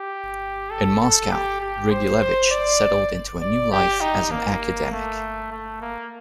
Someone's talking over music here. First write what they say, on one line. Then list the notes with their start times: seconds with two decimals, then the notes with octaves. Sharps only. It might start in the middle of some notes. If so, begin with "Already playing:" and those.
In Moscow, Grigulevich settled into a new life as an academic.
Already playing: G4
0.71 A4
1.01 A4
1.32 G4
1.61 G4
1.91 C5
2.22 C5
2.51 D5
3.41 D5
3.72 G4
4.01 D#4
4.31 A#3
4.92 A3
5.52 A3
5.81 A#3